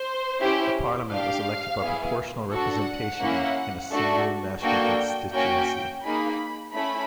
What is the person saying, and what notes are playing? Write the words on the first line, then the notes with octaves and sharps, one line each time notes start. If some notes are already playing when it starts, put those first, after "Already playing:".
The Parliament was elected by proportional representation in a single national constituency.
Already playing: C5
C#4 E4 G4
D4 F5
G4
B3 E4 G#4
D4 F#4 A4 F#5
A#3 C#4 E4
A3 D4 F#4 A4
A#3 D4 F#4 A4 G5
A#3 C#4 F#4 G5
A#3 D#4 G#4 B5
A3 C#4 E4 B5